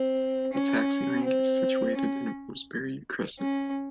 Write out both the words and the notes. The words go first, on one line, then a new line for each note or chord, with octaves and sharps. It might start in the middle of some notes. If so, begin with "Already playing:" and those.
The taxi rank is situated in Rosebery Crescent.
Already playing: C4
C#4
C4
C#4
C#4